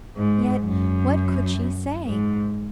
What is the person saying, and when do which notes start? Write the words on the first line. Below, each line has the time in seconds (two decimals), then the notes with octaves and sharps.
Yet what could she say!
0.16 G#2
0.64 F#2
2.05 G#2